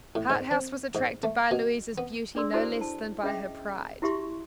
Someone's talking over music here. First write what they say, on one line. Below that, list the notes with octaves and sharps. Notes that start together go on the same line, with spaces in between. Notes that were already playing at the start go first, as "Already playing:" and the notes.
Harthouse was attracted by Louisa's beauty no less than by her pride.
A2
G#2
C4
G#2
A3
B2
B3
D4 G#4 D5 C6 E6
E4 F#4 A4 C5 G#5
A5
C#4 G#4 D#5 E5 G5
E4 F#4 G4 E5 C6 C#6